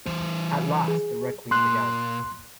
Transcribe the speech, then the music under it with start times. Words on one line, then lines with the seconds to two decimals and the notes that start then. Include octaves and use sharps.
At last the Red Queen began.
0.06 E3 C5
0.88 G#4
1.51 A#2 C6 F#6